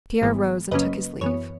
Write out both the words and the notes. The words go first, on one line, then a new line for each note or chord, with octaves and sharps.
Pierre rose and took his leave.
G#1 G#2 E3 G#3 B3
F#2 C#3 F#3 A#3 C#4 B4 D#5
F#2 E3 B3 C#5